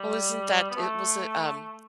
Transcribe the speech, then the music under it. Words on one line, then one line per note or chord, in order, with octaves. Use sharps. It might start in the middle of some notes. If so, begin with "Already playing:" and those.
Well, isn't that it was, uh, um,
Already playing: G3
B3
A3